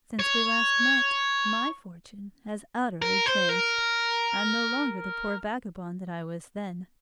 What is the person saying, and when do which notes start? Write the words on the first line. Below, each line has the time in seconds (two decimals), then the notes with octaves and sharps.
Since we last met my fortune has utterly changed; I am no longer the poor vagabond that I was then.
0.19 C#5
3.02 A#4
3.26 C5
3.49 A#4